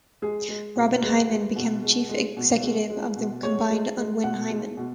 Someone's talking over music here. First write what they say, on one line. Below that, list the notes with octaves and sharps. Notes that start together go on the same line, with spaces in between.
Robin Hyman became chief executive of the combined Unwin Hyman.
G#3 G#4
G#3
B2
G#3 B4
G#3
B2
G#3
G#3
B2
G#3
G#3
B2
G#3 C#5
G#3
G#3
B2 F#5
G#3
B2